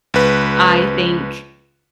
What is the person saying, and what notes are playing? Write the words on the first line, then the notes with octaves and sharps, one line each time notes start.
I think,
C#2 B4